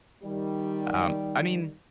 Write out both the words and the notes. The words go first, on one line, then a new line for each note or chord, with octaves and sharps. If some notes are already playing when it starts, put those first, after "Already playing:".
Um, I mean,
D#3 G3